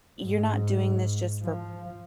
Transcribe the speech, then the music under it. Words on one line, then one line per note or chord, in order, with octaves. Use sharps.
"You're not doing this just for
G#2
F3